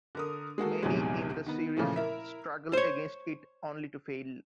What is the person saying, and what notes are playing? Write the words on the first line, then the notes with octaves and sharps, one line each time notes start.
Many in the series struggle against it, only to fail.
D3 A#4 D#6
G#3 A#3 F#4 A4
A#1 E2 C3 D#3 F#3 G#3
D#3 B3
A#2 C#3 E3 F3 A3
E4 A#4 E5
C5 C#5